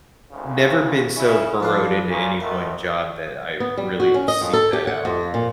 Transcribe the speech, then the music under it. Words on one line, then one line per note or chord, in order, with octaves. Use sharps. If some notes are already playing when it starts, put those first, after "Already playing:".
never been so burrowed into any one job that I really seek that out.
G#1 D2 C#3
C#3 C#4 E4
F2 D4 F4 B4 F5
A#2 C#3
F2 B2 A3 A#4
B3
G3
F#4
C#4
D#5
F2
A4
G4
F#5
F2
A#2